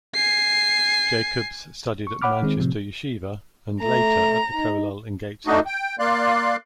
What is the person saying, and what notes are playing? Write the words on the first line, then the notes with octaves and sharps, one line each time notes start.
Jacobs studied at Manchester Yeshivah, and later at the kolel in Gateshead.
G#5 C7
C#6
C#5 F#5 B5 D6 F6
D#3 G#3 C4
A2 C3 F3
A3 A#5
D#4
A3 D4 D#4 F#4 D#5
G5
A#3 D5 F5 C6 F#6